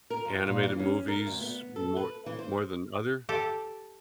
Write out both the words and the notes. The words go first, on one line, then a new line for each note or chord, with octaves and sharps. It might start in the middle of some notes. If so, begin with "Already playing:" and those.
animated movies more more than other?
A#4
F2
A#2
E3
C#4
A#4
D2
B3
A4
B4
E3
C5
G4 A4